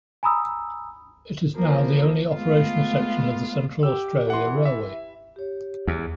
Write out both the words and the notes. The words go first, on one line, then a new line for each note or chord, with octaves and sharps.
It is now the only operational section of the Central Australia Railway.
G#5 A#5 B5 D#6 E6
E3 F3 A#3
G#3 A3 B3 F4 F5
G4 E6
E3 F#5 C6
E5
G4 C#5
E2